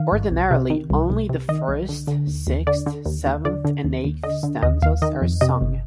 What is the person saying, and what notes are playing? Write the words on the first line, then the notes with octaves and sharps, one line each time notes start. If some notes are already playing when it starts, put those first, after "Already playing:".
Ordinarily, only the first, sixth, seventh and eighth stanzas are sung.
Already playing: D#3 F5
G#1
C2
C3
D#3
C2
C2
C3
D#3 D#5
C2
D3
D3
D#2
D#2
D3 D5
D3
D#2
D#2
D3 D5
D3
D#2
D#2
D3 D#5
D3
D#2 D#5
D#2 F5
D#3 D#5
F2
C3 D#5
G1